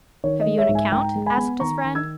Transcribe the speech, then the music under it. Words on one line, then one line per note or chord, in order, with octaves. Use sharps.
"Have you an account?" asked his friend.
D#3 C#5
D#5
G#3
C#5 E5
G#2
E5 G#5
G#2 G5 A#5
G#3
G#5 B5
B3
D#3 A#5 C#6
D#3
E6 G#6